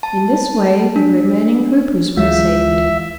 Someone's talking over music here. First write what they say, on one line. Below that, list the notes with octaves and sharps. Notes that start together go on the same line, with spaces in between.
In this way the remaining Hoopoes were saved.
A5
D4
D2 E3 G#3 F4 E5 F5